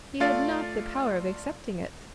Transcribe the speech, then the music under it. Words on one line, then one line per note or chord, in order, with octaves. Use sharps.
He had not the power of accepting it.
A3 F4 D5 F5 A6